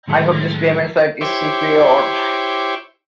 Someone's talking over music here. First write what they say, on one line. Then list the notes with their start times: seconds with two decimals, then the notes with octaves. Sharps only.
I hope this payment site is secure.
0.08 A2 D#3 F#3 G#3 A3
1.21 E4 G4 C5 C#5 D6